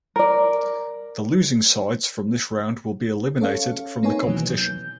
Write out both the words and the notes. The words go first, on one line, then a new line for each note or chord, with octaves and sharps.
The losing sides from this round will be eliminated from the competition.
A#4 D5
C#4 A4 C#5 F5
A#3 C4 D#4 B4 C#5 G#5
B2 D#3 E3 F#3
G6